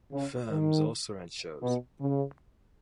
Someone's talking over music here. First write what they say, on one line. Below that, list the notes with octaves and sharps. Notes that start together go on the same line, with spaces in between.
Firms also rent shows.
C#3
D#3
B2
C#3